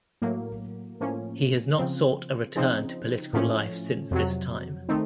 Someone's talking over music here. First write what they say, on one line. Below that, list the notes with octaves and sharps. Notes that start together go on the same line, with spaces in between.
He has not sought a return to political life since this time.
A2 F#3 A#3
A2 F3 A#3 C#4
C#3 F3 C4
C#3 F3 C4 D#4
A2 F3 A3 C#4
F2 C3 F#3
D#3 A3 C4 D#4